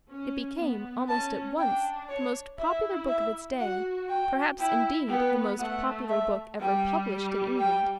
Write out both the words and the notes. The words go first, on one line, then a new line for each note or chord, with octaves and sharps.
It became, almost at once, the most popular book of its day, perhaps, indeed, the most popular book ever published in England.
C#4
B3
C#4 A5
D4 G5
C#5
E4 E5
E5
F#4 F#5
G5
E4 G5
B3 G5
A3 F#5
E5
G3 G5
G5